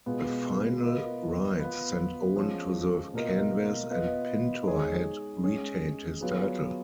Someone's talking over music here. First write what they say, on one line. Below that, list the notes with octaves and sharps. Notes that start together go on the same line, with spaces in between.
A final right sent Owen to the canvas and Pintor had retained his title.
B2 G#3 B3 F4
B3 F4 A#4 D#5
B3 F4 B4
F3 G#3 C#4
B2 A#3 F4 A#4 D#5
B3 F4 B4 D#5
G#3 D#4 G#4 C#5
G#3 C#4 G#4
F#3 B3 F4 G#4 B4